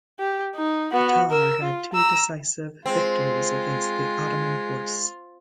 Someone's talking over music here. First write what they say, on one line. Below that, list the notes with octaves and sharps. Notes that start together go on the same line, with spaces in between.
Petar had two decisive victories against the Ottoman force.
G4
D#4
B3 F#4
A#4 E6
F4
A#5 E6
G#3 C4 F4